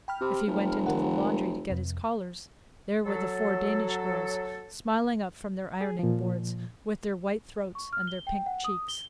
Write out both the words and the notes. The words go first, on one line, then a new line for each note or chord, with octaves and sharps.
If he went into the laundry to get his collars, there were the four Danish girls, smiling up from their ironing-boards, with their white throats and their pink cheeks.
G5 B5 F6
C3
F1
D#3 A#4 F#5
F2 C3
F#3 A4
G#4
A#2 F3
C#6
F6
G7
G5
F#5
D#6
G7